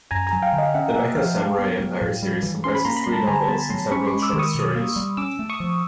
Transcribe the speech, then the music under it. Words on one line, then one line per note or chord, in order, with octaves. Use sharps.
The Mecha Samurai Empire series comprises three novels and several short stories.
F#2 G#5 A#5
G#5 A#5
F#3
F5 G5
D3
D#5 F5
C#4 E5 F#5
A#3 E5 F#5
F3 F5 G5
D4
B3
F#3
A2
G3
E3
C#4 C6
B5
A#3 A#5 C6
B5
G3 C6
A5 B5
D3 G#5 A#5
B3 A5 B5
F#3 A#5 C6
C#4 B5 C#6
C6 D6
G#3
D6 E6
D#3
C#6 D#6
B2
A#3
G3
C#4 D6 E6
A3
C#6 D#6
F3